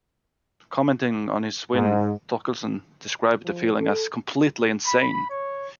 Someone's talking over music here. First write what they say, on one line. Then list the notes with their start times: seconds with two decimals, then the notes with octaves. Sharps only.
Commenting on his win, Thorkildsen described the feeling as "completely insane".
1.74 G#2
3.45 F3
3.78 A4
4.85 B5
5.30 C#5